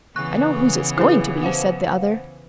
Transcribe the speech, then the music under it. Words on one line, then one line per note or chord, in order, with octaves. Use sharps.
"I know whose it's going to be," said the other.
C#3 E3 B3 C#6 F#6
E4 G#4 B4
C5 F5 F#5